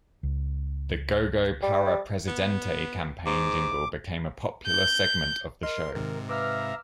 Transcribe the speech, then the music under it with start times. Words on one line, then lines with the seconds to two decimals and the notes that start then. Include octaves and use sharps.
The "Gogo Para Presidente" campaign jingle became a popular segment of the show.
0.23 C#2
1.62 G3
2.28 B3
3.26 G#2 D6
4.67 G6
5.63 A#4 D#5 C6 F6
5.95 G#2 C3 D#3
6.29 B4 E5 F5 A#5 D6 E6 F6